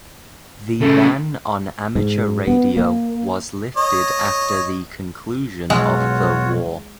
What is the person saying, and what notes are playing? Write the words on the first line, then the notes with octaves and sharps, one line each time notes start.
The ban on amateur radio was lifted after the conclusion of the war.
C#3 A3 A4
G#2
B3
A#3
C#5 D#5
B1 G#3 F4 F#4 C#5